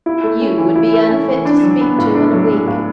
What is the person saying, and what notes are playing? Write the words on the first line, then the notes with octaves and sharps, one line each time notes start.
You would be unfit to speak to in a week.
E4
A3
C#4
E3
E4
A3
C#4
E3
D4
F#3
B3
A2
D4
F#3
B3
A2